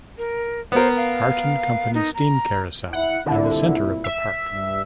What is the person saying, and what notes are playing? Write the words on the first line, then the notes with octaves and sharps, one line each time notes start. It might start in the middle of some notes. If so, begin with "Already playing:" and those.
Harton Company steam carousel in the center of the park.
A#4
B3 A#4 C5
F5
D#4
A#5
E4 F#5
C2 A#2 D3 E4
E5
G2